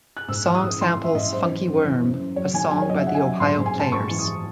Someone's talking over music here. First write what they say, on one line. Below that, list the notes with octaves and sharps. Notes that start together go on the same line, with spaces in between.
The song samples "Funky Worm", a song by the Ohio Players.
F#6
G#2 E6
E3
D#6
G#2
E3 C6
E3
E5
G#2 D#5
F#2 C5
E3
F#2
E3
F#2
F#2
F#3 C#5
D#3 G#5
F#3 G#5
C#5
F#3 D#5
E5
F#3 F#5
G#5
F#3
G#2 C6
G#2
G#5
G#2 A5
G#2 C#6
E3
D#6
E3